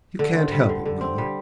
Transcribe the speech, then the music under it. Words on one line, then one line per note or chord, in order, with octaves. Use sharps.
'You can't help it, mother.
D3
C4
G3
D3
D3
C4
G3